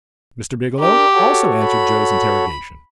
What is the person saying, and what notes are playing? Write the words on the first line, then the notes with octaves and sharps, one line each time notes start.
Mr. Biggielow also answered Joe's interrogation.
D4 G4 A#4
F#4 A4 C#5
B5